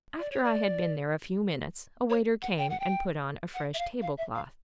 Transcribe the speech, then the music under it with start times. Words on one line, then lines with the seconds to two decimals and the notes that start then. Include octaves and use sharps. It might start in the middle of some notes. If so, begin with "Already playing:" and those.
After I had been there a few minutes a waiter came and put on a fresh table cloth.
0.19 D5
0.31 C#5
0.43 D5
2.10 C#5
2.42 F#5
2.58 G5
2.70 F#5
2.80 G5
3.54 F#5
3.74 E5
3.78 F5
4.02 F5
4.18 E5
4.35 F5